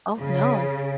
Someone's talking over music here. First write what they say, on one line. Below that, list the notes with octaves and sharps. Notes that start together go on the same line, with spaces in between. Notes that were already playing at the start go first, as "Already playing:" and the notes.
Oh, no.
C#3